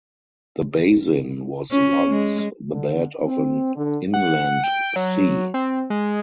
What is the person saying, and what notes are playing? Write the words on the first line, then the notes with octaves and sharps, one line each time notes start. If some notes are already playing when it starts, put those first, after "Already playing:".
The basin was once the bed of an inland sea.
C#4
G#3
D3
C4
D3
F#5
G5
F#3
C4
G#3